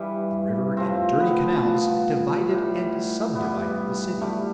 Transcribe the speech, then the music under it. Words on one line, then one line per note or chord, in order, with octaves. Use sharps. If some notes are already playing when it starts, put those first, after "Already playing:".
The river and dirty canals divided and subdivided the city.
Already playing: G2 E3 G3
A2 F3 C4
B3
G2 F3
A2 G3
G2 E3 G3 B3
B2 G3 A3